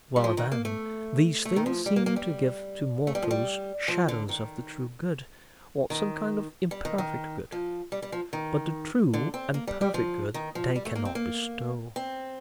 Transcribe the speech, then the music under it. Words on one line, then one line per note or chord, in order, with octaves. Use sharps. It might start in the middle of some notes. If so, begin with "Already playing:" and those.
'Well, then, these things seem to give to mortals shadows of the true good, or some kind of imperfect good; but the true and perfect good they cannot bestow.'
G3
F3
D#3
A#3
A3
A3
D#3
F3
G3
A#3
A#3
G3
A3
G3
F3
G3
F3
D3
D#3
D#3
G3
D#3
D#3
F3
G3
G3
F3
D#3
D3
C4
A#3
G3
G3
F3
D#3
F3
G3
A3
A#3
C4
A#3
C4